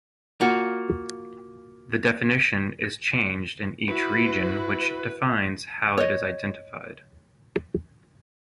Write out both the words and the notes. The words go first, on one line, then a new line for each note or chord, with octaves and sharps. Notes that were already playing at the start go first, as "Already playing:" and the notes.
The definition is changed in each region which defines how it is identified.
A#3 F4 F#4
E4 F#4 B4
C#5 D#5